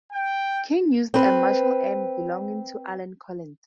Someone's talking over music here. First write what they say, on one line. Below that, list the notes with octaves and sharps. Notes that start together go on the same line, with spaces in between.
King used a Marshall amp belonging to Allen Collins.
G5
C4 B4